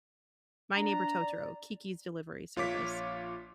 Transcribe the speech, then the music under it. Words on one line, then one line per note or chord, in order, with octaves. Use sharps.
My Neighbor Totoro, Kiki's Delivery Service,
D4 A#5
D5
A#1 F4 C#5 D6 B6